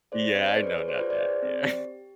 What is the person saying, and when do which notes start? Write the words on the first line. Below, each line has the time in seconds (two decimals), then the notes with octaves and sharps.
Yeah, I know, not that, yeah.
0.12 G#4 C5 D5
0.34 C4 C#5 D#5
0.45 C5 D5
0.55 G#4 B4 C#5
0.67 B4
0.77 G#4 B4 C#5
0.88 C5 D5
0.99 F4 B4 C#5
1.10 C5 D5
1.21 G#4
1.43 C4
1.64 G4
1.85 G4